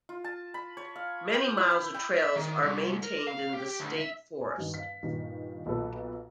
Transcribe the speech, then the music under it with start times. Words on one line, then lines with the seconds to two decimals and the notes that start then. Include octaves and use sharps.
Many miles of Trails are maintained in the State Forest.
0.09 F4
0.24 A5
0.54 B5
0.77 C#5
0.96 F5
1.34 G5
1.57 E4
1.71 B5
1.94 G5
2.17 E5
2.36 D#3
2.62 C2
3.03 A#4
3.27 F5
3.53 G4
3.80 D2
3.98 E5
4.41 G#5
4.58 G2 D#3
4.74 F5 B6
5.03 G2 A#2 D#3
5.66 B1 A#2 F4 A4 B4